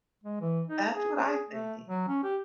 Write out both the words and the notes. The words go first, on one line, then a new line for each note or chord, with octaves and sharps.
That's what I think.
G#3
E3
D#4
G#4
G#4
A3
F#3
C#4
G4